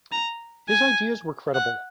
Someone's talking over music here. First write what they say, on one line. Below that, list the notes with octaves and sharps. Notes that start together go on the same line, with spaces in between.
His ideas were credible.
A#5
G#5
F#5